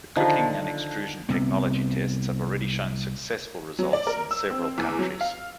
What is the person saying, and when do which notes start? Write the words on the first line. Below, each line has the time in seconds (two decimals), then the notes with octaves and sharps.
The cooking and extrusion technology tests have already shown successful results in several countries.
0.16 D3 D#3 F3
1.29 C2 C3 B3
3.79 F#3
3.93 D5
4.07 A#4
4.31 E6
4.51 C4
4.78 E2
4.99 F#3
5.21 F5